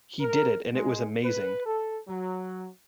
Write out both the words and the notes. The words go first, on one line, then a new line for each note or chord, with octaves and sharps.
He did and it was amazing!
A#4
G#3
B4
A4
F#3